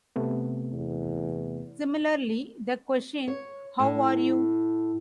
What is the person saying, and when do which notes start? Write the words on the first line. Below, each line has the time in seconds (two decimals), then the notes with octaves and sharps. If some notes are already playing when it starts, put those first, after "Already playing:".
Similarly, the question how are you?
0.16 C3 A3 B3
0.73 E2
3.28 C#5
3.80 A2